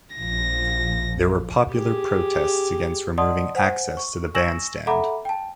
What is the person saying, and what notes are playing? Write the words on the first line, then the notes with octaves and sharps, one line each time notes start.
There were popular protests against removing access to the bandstand.
A#1 F3 A#6
G4 G#4
D5 D#5 F#5 A5 C6 D#6
C5 F#5 G#5
C#6
G#5 C#6 E6 A#6 E7 F#7
A4 E5 F#5 A#5 B5 D6
G5 A5